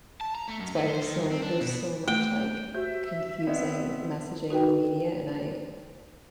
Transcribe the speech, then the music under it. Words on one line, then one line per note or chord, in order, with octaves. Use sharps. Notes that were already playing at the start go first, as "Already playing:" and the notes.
it's why there's so there's so much, like, confusing messaging in the media, and I
A5
A#5
A3
F#2
A3
C5
D#3
G2
C4
D4
B2
A3 G5
F#4 G4 C5 E5 G6
B3 C4 D5 D#5
D#4 F#4 B4 G5